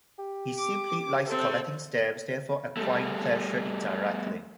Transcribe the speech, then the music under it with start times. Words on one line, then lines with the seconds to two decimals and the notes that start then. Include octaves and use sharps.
He simply likes collecting stamps, therefore acquiring pleasure indirectly.
0.19 G4
0.58 D6
1.27 C3 C4 A4
2.77 G3 A3